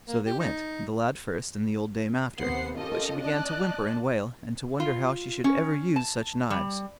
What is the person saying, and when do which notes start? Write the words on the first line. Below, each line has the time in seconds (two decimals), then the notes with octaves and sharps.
So they went, the lad first and the old dame after, but she began to whimper and wail, and to wonder how she should ever use such knives.
0.08 A#3
0.26 G4
0.40 D#4
2.37 D#2 C3 B3 C5 F#5 C7
2.76 C#4 F4 G4 A4 A#4 D#5
3.21 D5 D#5 A5 F#6
4.80 F4
5.44 C#4
5.96 A5
6.50 G3